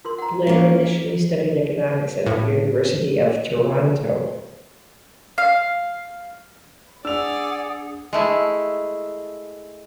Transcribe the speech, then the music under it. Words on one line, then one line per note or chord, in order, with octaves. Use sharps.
Blair initially studied economics at the University of Toronto.
F4 A#4 C6
F#5 A#5
A#3 C#4
A2
F5
D4 G#4 D5 F#5 D#6 E6 F7
G#3 A3 E4